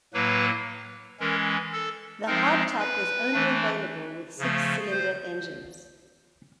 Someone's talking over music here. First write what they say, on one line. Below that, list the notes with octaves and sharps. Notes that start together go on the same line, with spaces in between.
The hardtop was only available with six-cylinder engines.
A2 F#3 A#3 B4
E3 G#3 C#4 A#4
A4
F3 G#3 C4 D#4 A#4
B4
E3 A3 D4
C#3 F3 A3
C5